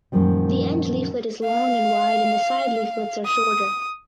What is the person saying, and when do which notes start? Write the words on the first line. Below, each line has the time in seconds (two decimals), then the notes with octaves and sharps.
The end leaflet is long and wide and the side leaflets are shorter.
0.12 F#2 A#2 D#3 F3 G3
1.45 F5
3.26 D#6